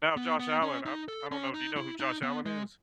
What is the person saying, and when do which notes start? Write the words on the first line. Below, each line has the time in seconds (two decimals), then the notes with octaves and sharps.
Now, Josh Allen I I don't know. Do you know who Josh Allen is?
0.17 B3
0.39 B3
0.62 C#4
0.86 D#4
1.08 A4
1.31 C#4
1.54 D#4
1.77 E4
2.00 D#4
2.23 B3
2.46 G#3